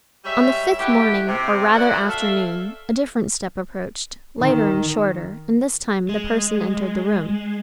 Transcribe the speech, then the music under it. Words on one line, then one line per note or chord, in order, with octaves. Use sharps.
On the fifth morning, or rather afternoon, a different step approached--lighter and shorter; and, this time, the person entered the room.
G3 G#3 C#5 E5
G#3 A3 E4 F#4 G4
C3
F#3 A3 F#4 D5 F#5
A4 E5 F5
D#3
G#3